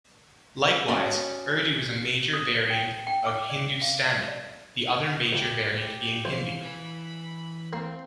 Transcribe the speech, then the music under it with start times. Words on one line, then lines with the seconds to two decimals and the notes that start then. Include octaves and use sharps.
Likewise, Urdu is a major variant of Hindustani, the other major variant being Hindi.
0.88 C#4 F#4 D5 D#5
2.33 D#6
2.49 C5
2.70 G5
3.07 G5
3.26 D6
3.50 D5
3.82 F5
4.28 D5
5.33 C#2 G4 B5
5.74 G4
6.25 A#1 E3 C5 F5 F6
6.63 E3 B5
7.73 A#3 C4 C6